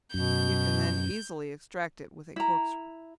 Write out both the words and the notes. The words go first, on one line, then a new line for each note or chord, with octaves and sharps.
You can then easily extract it with a corkscrew.
F#2 B2 G6
E4 A#5